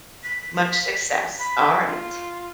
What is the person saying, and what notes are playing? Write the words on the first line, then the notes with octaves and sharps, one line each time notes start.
Much success. All right.
B6
B5
F4